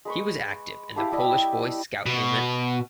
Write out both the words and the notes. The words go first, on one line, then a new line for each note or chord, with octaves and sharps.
He was active in the Polish Boy Scout movement.
G#3 B4 C#6
E4 G4 F5 A5
G3 E4 D#5
B2